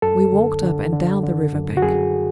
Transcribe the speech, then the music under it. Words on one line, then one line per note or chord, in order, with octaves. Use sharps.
We walked up and down the river-bank.
F#2 A4
D3
D3
D3
D3
F#2
F#4
F#2 G#4